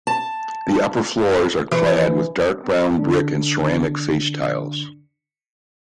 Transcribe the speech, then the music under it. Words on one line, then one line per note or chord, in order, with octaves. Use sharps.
The upper floors are clad with dark brown brick and ceramic face tiles.
A5
E3
D3 D4